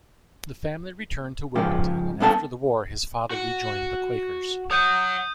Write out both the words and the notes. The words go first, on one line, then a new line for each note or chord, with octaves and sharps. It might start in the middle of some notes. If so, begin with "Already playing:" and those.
The family returned to Wilmington and after the war his father rejoined the Quakers.
G#2 C#3 F3 G4
G2 D3 B3 A4 G5 A5
F#4 F#5
C#5 F#5 D#6 G6 D#7